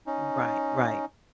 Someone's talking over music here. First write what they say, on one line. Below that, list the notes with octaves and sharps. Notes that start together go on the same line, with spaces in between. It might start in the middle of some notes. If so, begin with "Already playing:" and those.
Right. Right.
C#4 D#4